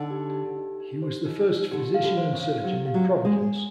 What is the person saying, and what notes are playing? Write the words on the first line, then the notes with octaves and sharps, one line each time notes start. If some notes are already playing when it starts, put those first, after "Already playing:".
He was the first physician and surgeon in Providence.
Already playing: D3 D#4
G4
G4
D#4
G4
C5
D#4
D#4
D3 G4
F5
D3
C5
C#3
F5
F#3 G4
F5
F#3
G#5
G#3
G#5